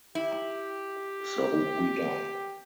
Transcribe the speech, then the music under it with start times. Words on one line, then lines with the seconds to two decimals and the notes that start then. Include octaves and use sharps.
So we die.
0.15 E4 G4